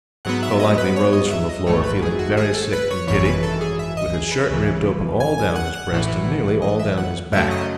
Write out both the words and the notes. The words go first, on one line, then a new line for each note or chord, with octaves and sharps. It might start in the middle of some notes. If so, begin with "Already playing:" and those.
Golightly rose from the floor feeling very sick and giddy, with his shirt ripped open all down his breast and nearly all down his back.
G#2 F#3 B3 F#5
E5
D#5
B4
C#5
D#5
E5
D#5
G#1 G#2 D#3 A3 C#5
B4
G#4
F#4
G#4
A4
B4
C#5
G#1 F#2 E3 C#5
B4
A4
G#4
E5
D#5
G#4
B4
C#2 C#3 E3
G#5
G#5
F#5
F#5
A1 A2 E3
D#5
E5
F#5
F#2 C#3 F#3 A3 E5
D#5